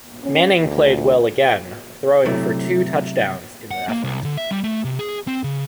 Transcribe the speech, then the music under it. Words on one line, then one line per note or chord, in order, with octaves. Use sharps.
Manning played well again, throwing for two touchdowns in the effort.
C#4
D2
C3 F#3 A3 E4
F#5
A#3
C2
D3
E5
G3
A3
C3
G#4
C4
C#3